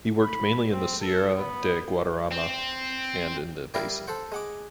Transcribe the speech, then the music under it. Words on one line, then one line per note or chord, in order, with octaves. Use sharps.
He worked mainly in the Sierra de Guadarrama and in the basin.
B5
C4
A4
B3
C4
G3 E4 A#4 D5 F5
A4 C5 F#5
G#3 F#5 D6